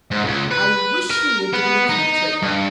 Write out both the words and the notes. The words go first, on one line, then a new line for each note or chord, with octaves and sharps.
I wish he lived in the country.
G#2
C#2
B4
A#4
B3
D#4
G2